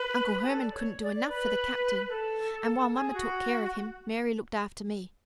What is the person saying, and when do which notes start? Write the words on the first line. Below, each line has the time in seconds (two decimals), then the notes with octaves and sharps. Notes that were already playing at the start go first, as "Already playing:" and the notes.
Uncle Hermann couldn't do enough for the captain, and while mamma took care of him, Mary looked after me.
Already playing: B4
0.42 G#4
0.47 A4
0.61 D5
0.74 C#5
1.02 D5
1.15 D5
1.29 B4
2.11 A4
2.93 G#4
3.14 F#4